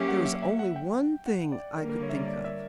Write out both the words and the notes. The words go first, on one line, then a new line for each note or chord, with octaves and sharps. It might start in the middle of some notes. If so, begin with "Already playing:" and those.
There was only one thing I could think of.
Already playing: F#3 A#3 C#4 G4 E5
F#5
E5
E5
F#5
G5
F#5
D5
D3 G3 A#3 A#4
A#4
C#5
E5
D5
D5
E5